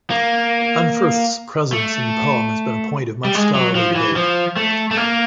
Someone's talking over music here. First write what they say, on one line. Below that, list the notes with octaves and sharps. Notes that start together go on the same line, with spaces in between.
Unferth's presence in the poem has been a point of much scholarly debate.
A#3
A3
G3
G#3
F#3
F3
E3
F3
A3
A3
A#3